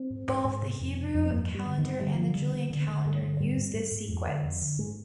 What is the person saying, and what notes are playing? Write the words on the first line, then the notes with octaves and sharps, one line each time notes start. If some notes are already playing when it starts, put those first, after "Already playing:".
Both the Hebrew calendar and the Julian calendar use this sequence.
Already playing: C4
G#2
G#2
G#2
C3
F2
C3
F2
C4
G2 A#3
G2
G3
D3
D#3
G2
D3 G3
D3 F3
G3
D3
D3
D3
D3
G2
D3
G#2 G3
G#2
G#2
G#2
F2
D3
F2
D3
G#2 G#3